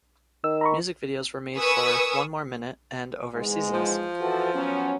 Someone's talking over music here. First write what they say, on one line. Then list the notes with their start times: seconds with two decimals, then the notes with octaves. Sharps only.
Music videos were made for "One More Minute" and "Over Seasons".
0.44 D#3 E6
0.61 A#5 B5 C#6
1.55 A#4 B4 G#5 C#6 D#6 E6
3.35 E2 G#2 G#3
3.73 F3
4.20 E3 F#4 A4
4.54 F#3 B3 C#4